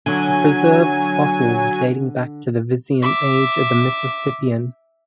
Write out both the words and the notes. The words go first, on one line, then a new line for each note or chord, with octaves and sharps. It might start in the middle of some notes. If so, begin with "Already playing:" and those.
It preserves fossils dating back to the Visean Age of the Mississippian.
D3 F#3 G#5
E5 D6